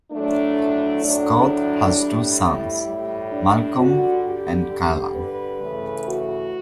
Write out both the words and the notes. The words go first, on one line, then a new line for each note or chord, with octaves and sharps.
Scott has two sons, Malcolm and Callan.
A2 F#3 A3 D4
A2 F#3 A3 D4
A2 G3
E4
A2 G3
D4
D3 G3 F#4
G4
D3 G3
B4
C#3 E3 A3
F#4